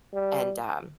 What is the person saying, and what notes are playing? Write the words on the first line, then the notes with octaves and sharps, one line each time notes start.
and, um,
G3